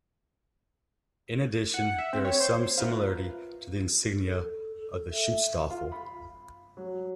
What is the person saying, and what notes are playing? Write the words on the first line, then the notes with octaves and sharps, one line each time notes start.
In addition there is some similarity to the insignia of the Schutzstaffel.
F#5
E5
C4
C#5
C5
F4 A#4 B4 E5 F5
A4
A4
E5
F4
B5
F#3